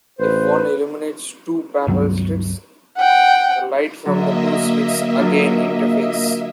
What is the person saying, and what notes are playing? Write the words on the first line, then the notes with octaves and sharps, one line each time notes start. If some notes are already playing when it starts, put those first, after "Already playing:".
If one illuminates "two" parallel slits, the light from the two slits again interferes.
A1 B4 C5
C#2 G2 F#3 B3
F#5 G5
D3 F#3 A#3 D#5 E5
F#3 D4 F4